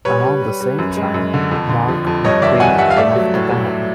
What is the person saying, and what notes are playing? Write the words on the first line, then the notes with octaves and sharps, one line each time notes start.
Around the same time, Mark McGee left the band.
G3 B4 C#5
G3
G3
G3
F#2
G#3
F#2
D3
F2
D3
F3
F2
G2 C#5 D#5
D#3 D5 E5
G2 F#5 G#5
G2 E5 F#5
F5
A3 D5 E5
F#3
A2
F#3